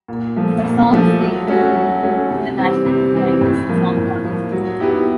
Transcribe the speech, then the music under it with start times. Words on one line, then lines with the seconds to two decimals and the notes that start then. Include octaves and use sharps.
Her song, "Se in Se" won the National Finals Song Contest.
0.08 A#2
0.36 F3 A3
0.64 A#2
0.92 F3 A3
1.20 F#3
1.47 A3 C#4 F#4
1.75 F#3
2.03 A3 C#4 F#4
2.30 C3
2.58 E3 G3 C4
2.86 C3
3.14 E3 G3 C4
3.41 A2
3.69 F3 A#3
3.97 A2
4.25 F3 A#3
4.52 F#3
4.80 B3 E4 G4